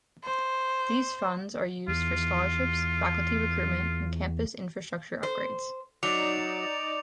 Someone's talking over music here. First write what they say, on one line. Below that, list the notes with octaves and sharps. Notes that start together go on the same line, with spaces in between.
These funds are used for scholarships, faculty recruitment, and campus infrastructure upgrades.
C5
E2 F4
C5
F#3 D#4 D5 D6 C#7 F7